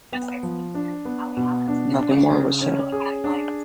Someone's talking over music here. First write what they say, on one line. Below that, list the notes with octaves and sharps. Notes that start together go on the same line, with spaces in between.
Nothing more was said.
B3
F3
D4
B3
B2
D4
D4
C#3
C#4
G#4
D4